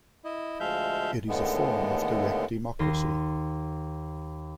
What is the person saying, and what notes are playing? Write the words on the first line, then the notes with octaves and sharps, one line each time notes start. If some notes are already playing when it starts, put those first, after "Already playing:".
It is a form of direct democracy.
E4 D#5
D2 F3 G#3 E5 F5 G6
D#2 A2 D3 G#3 A3 B3
D#2 C6 A#6